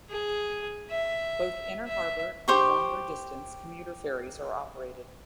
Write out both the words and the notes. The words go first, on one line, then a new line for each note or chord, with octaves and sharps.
Both inner harbor and longer distance commuter ferries are operated.
G#4
E5
E5
G4 C5 C#6